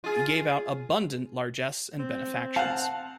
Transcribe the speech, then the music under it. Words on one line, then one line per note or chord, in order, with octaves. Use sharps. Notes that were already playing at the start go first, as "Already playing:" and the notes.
He gave out abundant largesse and benefactions.
F4 G#4
C4
F5 F#5 A5 F#6